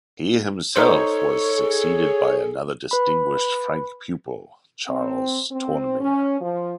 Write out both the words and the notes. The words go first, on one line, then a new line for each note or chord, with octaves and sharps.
He himself was succeeded by another distinguished Franck pupil, Charles Tournemire.
D#4 A4 C5 C#5
G#4
B4 B5
C4
C4
C#4
F3